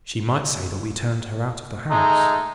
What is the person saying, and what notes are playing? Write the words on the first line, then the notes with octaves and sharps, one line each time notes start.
She might say that we turned her out of the house.
G#3 A3 D#4